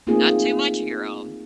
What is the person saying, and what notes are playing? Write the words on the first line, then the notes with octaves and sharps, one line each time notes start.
not too much of your own."
A3 A#3 C4 D#4 F4 G#4